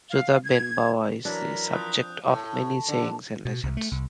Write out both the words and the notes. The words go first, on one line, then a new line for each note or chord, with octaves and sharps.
Judah ben Bava is the subject of many sayings and legends.
F5
G#6
E3 F#3 D4 A#4 B5
F3 C4 D#6 F#6 G6
A2
D3
B2
C2
A3
C2